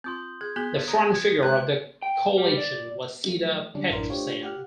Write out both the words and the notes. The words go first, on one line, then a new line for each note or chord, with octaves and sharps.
The front figure of the coalition was Seda Petrosyan.
C4 F4 C6 D#6 G6
G#4 G#6
B3 F#4 G#4 F#6 B6 G7
A#5 D#6
F#4 G#6
G#3 C5 G5 F#6
G5
G3
D5
F3 F#3 A3
D3 F#3 G3 C#4 D4
A1 F#2 D4 E4 A#4 C6
A3 D4 F4 G4 C5 C#5
G4 F#5 F6 F#6